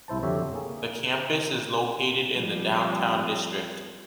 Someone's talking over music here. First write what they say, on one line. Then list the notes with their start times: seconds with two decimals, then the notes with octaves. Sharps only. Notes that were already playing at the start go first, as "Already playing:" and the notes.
The campus is located in the downtown district.
0.08 C2 E4 C5 A5
0.23 F2 D3 F#4 G4 C#5 E5
0.53 A#3 G#4
2.32 F3 G3 C4